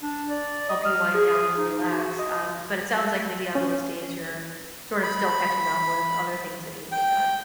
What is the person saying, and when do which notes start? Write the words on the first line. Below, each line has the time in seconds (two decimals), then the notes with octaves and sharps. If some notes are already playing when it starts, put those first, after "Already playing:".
help you wind down and relax. Um, but it sounds like maybe on those days, you're sort of still catching up with other things that need to get done.
0.02 D4
0.29 D5
0.69 D#5
0.85 F6
1.14 G#4
1.58 D#4
1.90 F#4
2.19 D#5
3.55 C#4
5.03 B5
6.92 G5